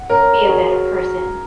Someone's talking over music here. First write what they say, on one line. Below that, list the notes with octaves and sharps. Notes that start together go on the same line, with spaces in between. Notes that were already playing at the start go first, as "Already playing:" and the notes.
be a better person.
Already playing: F#5
A#4 C#5
F#4 G#4